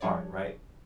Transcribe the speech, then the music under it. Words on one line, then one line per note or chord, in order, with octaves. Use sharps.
art, right?
F3 G3 D4 G#4 C#5 D5